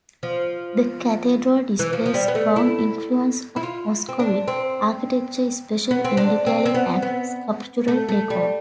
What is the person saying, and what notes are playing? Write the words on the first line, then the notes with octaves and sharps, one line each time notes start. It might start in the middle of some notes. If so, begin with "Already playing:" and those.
The cathedral displays strong influence of Muscovite architecture, especially in detailing and sculptural decor.
F3
E3
F3
F3
G3
B3
A3
E4
E4
F4
C4
D4
C4
B3
C4
D4
C4
C4
B3
B3
A3
A3
G3